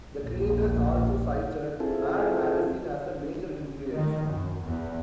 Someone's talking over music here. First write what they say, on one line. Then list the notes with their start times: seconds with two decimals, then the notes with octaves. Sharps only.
The creators also cited "Mad" magazine as a major influence.
0.18 A#1 D#2
1.80 C4 E4 F4 G#4 A4
3.94 D#3
4.27 F#2
4.62 E2